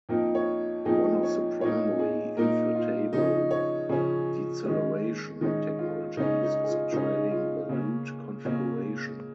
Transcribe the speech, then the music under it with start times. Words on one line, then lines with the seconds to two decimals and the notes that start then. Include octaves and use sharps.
One of the primary inflatable deceleration technologies is a trailing ballute configuration.
0.09 F2 F3 A#3 D#4 A#4
0.35 C#5
0.85 F2 F3 A#3 D#4 G#4
1.23 C#5
1.61 A#2 A#3 D#4 C#5
1.99 G#4
2.37 A#2 A#3 D#4 A#4
2.75 F4
3.13 C#3 F3 C#4 D#4
3.51 C#5
3.89 C#3 F3 C#4 G#4
4.65 D#3 G#3 C#4
5.41 D#3 G#3 C#4 D#4
5.79 F4
6.17 C#3 G#3 C#4 D#4
6.43 D#4
6.64 G#4
6.68 F4
6.93 C#3 G#3 C#4 D#4
7.31 F4
7.69 C#3 A#3 C#4
8.45 C#3 A#3 C#4